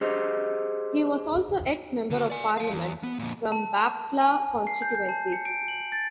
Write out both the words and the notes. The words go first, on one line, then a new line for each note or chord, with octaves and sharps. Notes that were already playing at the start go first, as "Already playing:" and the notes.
He was also Ex-Member of Parliament from Bapatla constituency.
G4 G#4 C5 D#5
D3 F#4
D5 G#5
F5 A5
E2
B3
F2 A#2
A5
A5
G#5
C7
G6
G6
A5
C#7
D7
F#7
A6